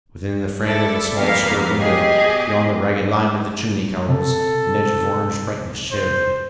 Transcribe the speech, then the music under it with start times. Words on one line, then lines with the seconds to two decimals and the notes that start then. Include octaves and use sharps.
Within the frame of the small square window, beyond the ragged line of the chimney-cowls, an edge of orange brightness showed.
0.65 E4 A4 D5
1.18 F2 A#3 B3 A#4 F5
1.77 B2 G4 G#4 D#5
4.09 C3 A4
5.92 C5